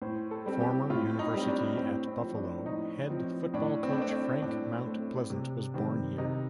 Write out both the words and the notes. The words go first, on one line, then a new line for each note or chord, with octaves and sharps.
Former University at Buffalo head football coach Frank Mount Pleasant was born here.
A2 C5
A4
G3 C4
G4
A2 F4
D#4
G3 C4
D4
A2 C4
C4
F3 C4
D4
A2 D#4
F3 C4
A2 D4
C4
D4
A3 C4
D4
A2 D4
A3 C4
C3
D#3 G3 C4
C3 D#4